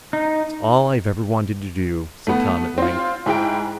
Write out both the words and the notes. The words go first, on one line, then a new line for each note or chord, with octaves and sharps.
"It's all I've ever wanted to do," said Tom at length.
D#4
A3 B3
C4 F4
G#2 E4 G#4 G5 D7